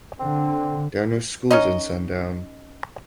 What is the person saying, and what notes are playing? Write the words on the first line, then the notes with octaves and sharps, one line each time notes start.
There are no schools in Sundown.
D3 C4
C#4 D#4 D#5